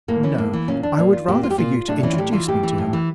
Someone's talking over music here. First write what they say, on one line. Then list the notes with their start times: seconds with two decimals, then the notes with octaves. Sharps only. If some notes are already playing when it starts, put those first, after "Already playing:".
"No, I would rather for you to introduce me to her."
0.08 A2 A#3
0.23 E3 C#4
0.38 A2 A#3
0.53 E3
0.68 A#2 C#4
0.83 D4
0.98 A#2
1.13 F4
1.28 A#2 G4
1.43 F4
1.51 G4
1.58 A#2 F4
1.88 A2 D4
2.03 E3 C#4
2.13 F4
2.18 A2 G4
2.33 E3 F4
2.48 A2 G4
2.63 E3
2.78 A2
2.93 E3